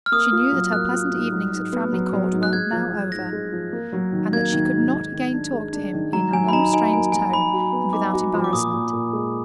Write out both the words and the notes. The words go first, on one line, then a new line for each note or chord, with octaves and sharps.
She knew that her pleasant evenings at Framley Court were now over, and that she could not again talk to him in an unrestrained tone and without embarrassment.
F6
A#3 D#6
F4
F#3
A#3 F#6
F4
G#2
F#3
G#2
B3
F#3
F#3
G#2
F#6
G#3 G#6
F3
F3
G#2 A#6
G#3
F3
A#3
F#3
D#3
A#3 G#6
D#3
G#2
D#3
D#3
D4
G#3
D4
D#3
F#3 A#5
F#3 G#5
B5
D#4 A#5
D#4 G#5
A#3 G#5
F#3 G#5
D#4 B5
F#4
B3
D#4 D6
F#4
F3
D6
A#2 D#6
A#2
A#2
G#3